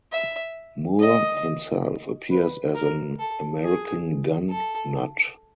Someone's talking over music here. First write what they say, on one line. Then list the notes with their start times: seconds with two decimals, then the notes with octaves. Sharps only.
Moore himself appears as an American gun nut.
0.12 E5
1.00 D#5
2.31 B4
2.75 A#4
3.19 A4
3.63 G#4
4.50 A4